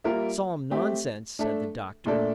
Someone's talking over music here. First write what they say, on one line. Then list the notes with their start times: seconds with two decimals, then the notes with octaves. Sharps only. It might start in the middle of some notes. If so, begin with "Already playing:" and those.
"Solemn nonsense," said the doctor.
0.04 G3 A#3 F4 A#4 E5
0.71 A3 C4 G4
1.39 A3 D4 A4 E5
2.06 A#2 A3 D4 A4 D5